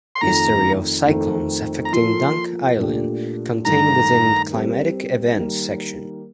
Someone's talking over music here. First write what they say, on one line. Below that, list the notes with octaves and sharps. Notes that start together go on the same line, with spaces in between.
History of cyclones affecting Dunk Island contained within Climatic Events section.
C6
F2 D#3 A3 A#5
F2 D#3 A3 C4
A#5
F3 A#3 F4 A4 C6
A#2 A3 D4 G4
G2 D#3 A3 A#5
G3 C4 G4 A#4
D#3 G3 A#3